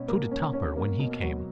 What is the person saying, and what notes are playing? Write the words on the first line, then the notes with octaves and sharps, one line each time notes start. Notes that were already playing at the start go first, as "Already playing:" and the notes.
So did Topper when he came.
Already playing: B2 C#4
A#3
C#4
C#4
A#3
B2
F#3